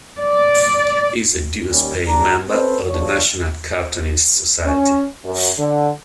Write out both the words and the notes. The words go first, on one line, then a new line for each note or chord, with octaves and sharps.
He is a dues-paying member of the National Cartoonists Society.
D5
D#2 G3 C#4
F#1 D4 G#4 A#5
C4 C#4 A4 B4 C5
B1 C#3 F3 D4 C#5
C#4
F#2
D3